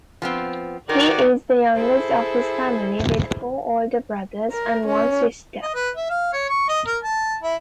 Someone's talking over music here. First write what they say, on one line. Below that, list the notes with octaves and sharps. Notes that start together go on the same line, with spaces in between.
He is the youngest of his family, with four older brothers and one sister.
F3 B3 C4
D#3 F#4 A#4 D5
E4 G#4 A4 C5
A#4
C#4
D#5
B4
E5
F5
C#5
C#6
D#5
A#4
A5
E4